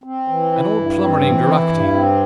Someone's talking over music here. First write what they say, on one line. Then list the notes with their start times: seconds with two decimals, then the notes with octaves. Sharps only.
An old plumber named Geraghty.
0.04 C4
0.28 E3
0.51 E4
0.74 G2
0.99 C4
1.23 E3
1.46 E4
1.69 G2
1.93 C4